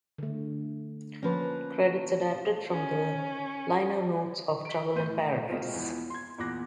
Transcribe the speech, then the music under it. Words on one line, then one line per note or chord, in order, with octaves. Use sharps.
Credits adapted from the liner notes of "Trouble in Paradise".
D3 A3
F3 A#3 C#4 B4
C#4
B6 D7
A2 C6 G6 D#7
B2 G#3 A#3 C4 F4 A#4
E2 E3 F3
C6 G#6
E2 A#2 C6 D6 F#6 A#6